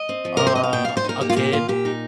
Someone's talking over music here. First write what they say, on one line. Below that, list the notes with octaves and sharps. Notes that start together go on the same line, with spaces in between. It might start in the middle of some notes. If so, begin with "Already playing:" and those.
Uh, a kid,
Already playing: D#5
C4
F3
C3 A#4
C5
C3 D#5
F5
A#2 G5
A#2 F5
C5
D#4 A#4
A#3 G4
F4
A#2 G4
A#2 F4
A#2 G4
D#4